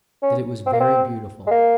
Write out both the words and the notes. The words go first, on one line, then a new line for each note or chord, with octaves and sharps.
"That it was very--beautiful!"
C#4
C4
A#3
C4
G#3
A#3